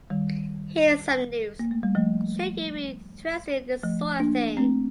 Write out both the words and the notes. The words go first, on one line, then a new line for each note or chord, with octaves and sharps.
Here is some news, should you be interested in this sort of thing.
D#3 G3
A#3
A3
G3
F3 A3
F3 A3
A#3 D4
A3 C4